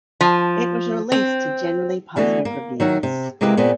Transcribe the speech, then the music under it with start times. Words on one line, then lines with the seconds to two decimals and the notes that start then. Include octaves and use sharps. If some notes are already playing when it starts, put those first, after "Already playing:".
It was released to generally positive reviews.
0.21 F3
1.12 C4
2.16 D3 E3 A3 B3 F#4
2.45 A#3
2.80 D#3 F#3 E5 F#5
3.03 C3
3.41 C3 G#3 A#3 E4 G4 B4
3.57 A#2 B3 C4 G#4